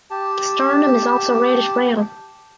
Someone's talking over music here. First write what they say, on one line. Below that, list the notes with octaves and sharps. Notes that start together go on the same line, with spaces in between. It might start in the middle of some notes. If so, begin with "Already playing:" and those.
The sternum is also reddish brown.
G4 A5